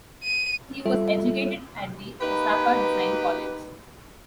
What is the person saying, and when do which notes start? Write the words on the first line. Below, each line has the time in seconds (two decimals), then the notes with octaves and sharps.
He was educated at the Osaka Design College.
0.24 D#7
0.86 G3 F4 A4 E5
2.21 A#3 D#4 G4 B4